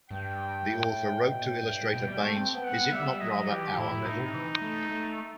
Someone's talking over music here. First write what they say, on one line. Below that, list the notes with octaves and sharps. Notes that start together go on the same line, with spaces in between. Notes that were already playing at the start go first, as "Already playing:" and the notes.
The author wrote to illustrator Baynes, is it not rather 'our' medal?
G2 G5
A2
B2 G5
A2
G2
A2
B2
G3
A3
C4 G5
B3
F#5
B3
G3 E5
G3
F#3 D#5
F#3
E3 G4
D#3
A2 E4
A2
A2 D#4
C3
E3
A3
A3